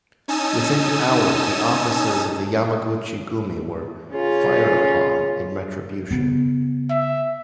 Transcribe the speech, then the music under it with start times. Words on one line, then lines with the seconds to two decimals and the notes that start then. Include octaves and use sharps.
Within hours the offices of the Yamaguchi-gumi were fired upon in retribution.
0.28 C#4 D#4 G#5 A5 D#6 E6
4.14 C#3 C#4 F4
6.11 C#3 B3
6.90 E5